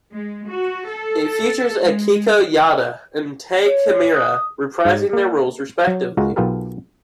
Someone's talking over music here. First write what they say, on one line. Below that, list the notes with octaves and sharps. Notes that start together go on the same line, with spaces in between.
It features Akiko Yada and Tae Kimura reprising their roles respectively.
G#3
F#4
A4
G#3
C#5
D#6
G#2
A#3
F#3
C#2 G#3 F4 F#4 A#5
B1 B3 F4 G4 A4 A#4